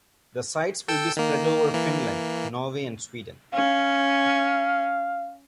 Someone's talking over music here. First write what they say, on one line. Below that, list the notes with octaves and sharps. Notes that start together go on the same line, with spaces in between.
The sites will be spread over Finland, Norway and Sweden.
A4 G5 E6
D#3 A#3
E3 A#3
C#4 F5